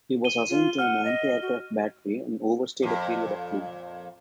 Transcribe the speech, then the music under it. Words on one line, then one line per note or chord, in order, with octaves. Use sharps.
He was assigned to an anti-aircraft battery and overstayed a period of leave.
D#7 G7
F4
F#5 F6
D#5
F#4
F2 A#2